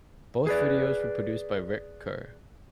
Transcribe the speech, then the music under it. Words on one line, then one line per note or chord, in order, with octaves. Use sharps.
Both videos were produced by Rick Kerr.
G#4 B4 D5